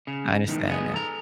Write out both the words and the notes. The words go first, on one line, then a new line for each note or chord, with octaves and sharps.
I understand that.
C#3
E2 G#2 D#3 E3
G#3 B3 G#4
A4 A#5